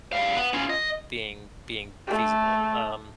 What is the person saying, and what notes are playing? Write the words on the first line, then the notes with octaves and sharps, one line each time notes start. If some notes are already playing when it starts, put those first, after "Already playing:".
being being feasible, um,
G3 F5
B3
C#4 F4
D#5
A3